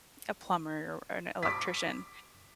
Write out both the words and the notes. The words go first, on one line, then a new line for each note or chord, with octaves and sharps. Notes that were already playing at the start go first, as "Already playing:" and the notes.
a plumber or a an electrician,
D6 B6